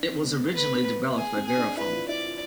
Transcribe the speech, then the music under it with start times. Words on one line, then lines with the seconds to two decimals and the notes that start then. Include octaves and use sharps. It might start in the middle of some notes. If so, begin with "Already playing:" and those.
It was originally developed by Verifone.
Already playing: D4
0.09 C4
0.23 B3
0.39 A3
0.54 B4
0.75 C4
0.95 B3
1.16 G#4
1.37 C4
1.47 G#4
1.57 D4
1.77 E4 B4
1.93 F4
2.08 E4 D5
2.24 F4